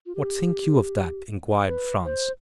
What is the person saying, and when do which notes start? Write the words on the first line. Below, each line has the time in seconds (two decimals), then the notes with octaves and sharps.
"What think you of that?" inquired Franz.
0.06 F4
0.15 G4
1.67 B4
2.05 C5